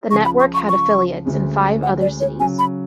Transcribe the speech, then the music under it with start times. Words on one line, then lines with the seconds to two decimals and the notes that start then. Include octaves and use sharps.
The network had affiliates in five other cities.
0.11 C#2 C#3 F3 C#6
0.25 B5
0.40 C#6
0.54 C#6
0.69 C#6
1.25 D2 D3 G#3 C#4
1.83 F#5
2.01 D5
2.20 C#5
2.39 C#3 F#3 C#4 G#5
2.59 B5